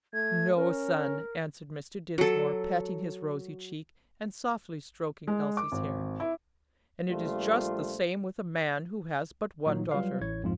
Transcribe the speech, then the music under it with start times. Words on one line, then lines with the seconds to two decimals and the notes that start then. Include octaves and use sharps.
"No, son," answered Mr. Dinsmore, patting his rosy cheek, and softly stroking Elsie's hair, "and it is just the same with a man who has but one daughter."
0.14 A3 G#6
0.56 C#4 A#4
2.18 F#3 A4
5.27 G#3
5.57 D6
5.72 G#1
6.20 E4
7.10 A#1 G3 A3 A#3 F4 C5
9.67 A#2 F#3 D#4
9.91 F#3 G3 F4 B4 F5
10.21 A1 E4 C#5 G#6
10.43 F2 G#2 F3 F4